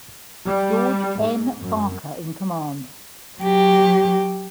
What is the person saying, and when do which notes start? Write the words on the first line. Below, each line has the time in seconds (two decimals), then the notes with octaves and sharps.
George N. Barker in command.
0.47 G3
1.23 G#2
1.62 F#2
3.40 F#3 G4